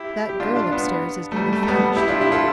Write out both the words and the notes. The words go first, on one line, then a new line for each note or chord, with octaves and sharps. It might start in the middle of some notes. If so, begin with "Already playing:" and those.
"That girl up-stairs is nearly famished."
Already playing: E4 G4
G4
D4 F4
D4 F4
B3 D4
A3
G3
A3
A3
G3 B3
E4 G4
D4 F4
E4 G4
F4 A4